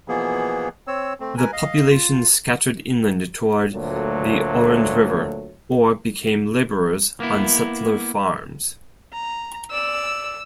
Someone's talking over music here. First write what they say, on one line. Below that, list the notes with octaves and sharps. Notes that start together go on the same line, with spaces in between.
The population scattered inland toward the Orange River or became laborers on settler farms.
B2 E3 F3 A#3 B3 G#4
C4 C#5 E6
A3 C4
A#4 B4 G#5
D#5 F5
F4
D2 A#2 F#3 A3
A#3 B3 E4
A#5
D5 E6